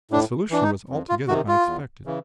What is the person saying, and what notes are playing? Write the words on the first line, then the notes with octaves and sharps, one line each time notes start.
The solution was altogether unexpected.
A2 D4
E3 D4
D#4
F2
F4
C3 D#3 F#4
F4
E2
C#3 E3